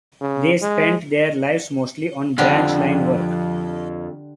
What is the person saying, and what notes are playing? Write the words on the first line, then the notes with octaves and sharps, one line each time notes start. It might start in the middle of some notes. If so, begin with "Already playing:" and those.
They spent their lives mostly on branch line work.
C#3
G#3
F2 D3 G3 D4